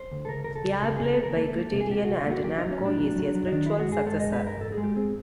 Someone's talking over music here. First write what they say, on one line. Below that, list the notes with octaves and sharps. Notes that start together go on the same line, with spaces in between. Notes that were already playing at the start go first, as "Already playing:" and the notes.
Airblade by Criterion and Namco is a spiritual successor.
Already playing: C5
D2
A4
C#2 A#4
C#2 A#4
A4
C#2
C#3 A4
G#4
C#2 A#4
A4
C#2 A#4
A#3 A4
A#3
C3
G#4
C2 G4
C2 F#4
F4
A#3 F#4
F#3 G4
F#3 D#4
C#4
A2 D4
F#3
F#3
F#3
D#4
D#3 D4
G#3 E4
F#4
G2 G#4
G#3 A4
D#5
G2
B4
G2 A#4
G#2 A4
G#4
G#3
G4
C4 G#4